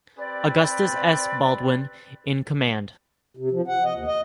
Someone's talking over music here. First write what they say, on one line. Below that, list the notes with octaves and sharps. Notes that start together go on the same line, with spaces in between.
Augustus S. Baldwin in command.
C4 G4 B4 D5
C3
F3
F#5
D#5
D#2
D#5